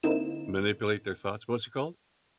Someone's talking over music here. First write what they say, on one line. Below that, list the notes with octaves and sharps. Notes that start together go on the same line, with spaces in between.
manipulate their thoughts. What's it called?
D3 A#3 C4 D#4 E4 E7